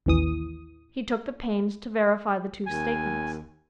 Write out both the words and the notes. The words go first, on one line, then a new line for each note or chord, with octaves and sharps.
He took the pains to verify the two statements.
A1 D#2 E3 D#6
D#2 G#5